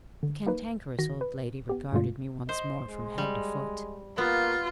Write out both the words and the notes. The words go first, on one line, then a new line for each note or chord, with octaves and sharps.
The Cantankerous Old Lady regarded me once more from head to foot.
D3
A#3 D#4 B4
D#3 F#4 A#6
B4
B3 G4
G2 B2 D3 G#3 A3 F4
C5 D#5
G#3
G3
A#3 B3 F4